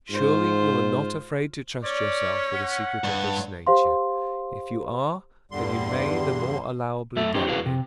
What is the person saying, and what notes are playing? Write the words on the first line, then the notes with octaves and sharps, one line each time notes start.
Surely, you are not afraid to trust yourself with a secret of this nature: if you are, then you may the more allowably doubt me.
G#2 F4 C5
C#4 C#5 D5
F#5
G2
G4 C5 F5 C6
E2 G2 D3 G3 C6
F#2 A3 A4 E5
C#4 D#4 G4 C5
E4 F#4 G#4 A#4 B4 F5
C3